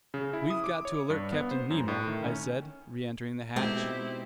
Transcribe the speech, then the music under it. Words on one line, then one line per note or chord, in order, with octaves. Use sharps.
"We've got to alert Captain Nemo," I said, reentering the hatch.
C#3
E4
D#6
D6
C#5
G2
B3
C5
F#2
A2
D#3
C#4
B2 G#3 C4 D#4 E4 G4